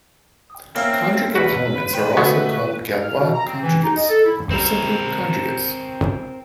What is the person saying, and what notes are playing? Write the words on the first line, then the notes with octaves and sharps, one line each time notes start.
Conjugate elements are also called "Galois conjugates", or simply "conjugates".
A#3 C4 C#4 E4
E2 F#4 B4
C5 G5
D2 F#3 G#3 A3 B3 F#4
F6
B2
A#5
C4
E3
D#4
D#5
A4
E4
C4 A#4